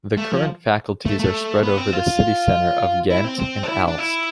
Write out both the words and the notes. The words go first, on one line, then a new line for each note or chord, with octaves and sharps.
The current faculties are spread over the city center of Ghent and Aalst.
A3
F3
A3
A3
B3
C4
F4
E4
C4
C4
D4
E4
D4
E4